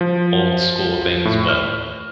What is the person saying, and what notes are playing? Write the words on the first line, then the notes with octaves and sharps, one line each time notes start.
old school things, but,
F3
A2
F6